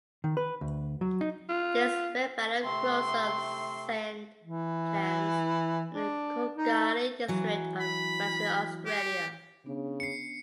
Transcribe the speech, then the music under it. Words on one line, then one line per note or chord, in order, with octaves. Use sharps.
This phebalium grows on sandplains in the Coolgardie district of Western Australia.
D#3
B4
D2
F#3
D#4
F4
C3 A3 C4 C6
E3
D4
D#4
E3 F#3
B5
G4
C#3 B3 D4
C7 C#7